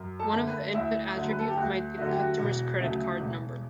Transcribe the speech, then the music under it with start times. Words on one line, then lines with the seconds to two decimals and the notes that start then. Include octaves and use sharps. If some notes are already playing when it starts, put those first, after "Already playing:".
One of the input attributes might be the customer's credit card number.
Already playing: F#2
0.19 A4 A5
0.33 D3 A3
0.47 B4 B5
0.75 D2 E4 E5
1.15 D3 F#3 A3
1.30 B4
1.39 A4
1.48 G4
1.57 D2 F#4
1.97 D3 F#3 A3 F#4
2.09 G4
2.19 F#4
2.39 E1
2.80 D2 C#3 F#3 A3
3.21 E1